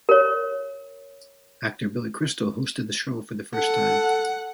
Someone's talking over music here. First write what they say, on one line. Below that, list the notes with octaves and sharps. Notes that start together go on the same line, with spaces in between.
Actor Billy Crystal hosted the show for the first time.
A#4 C#5
A4 F#5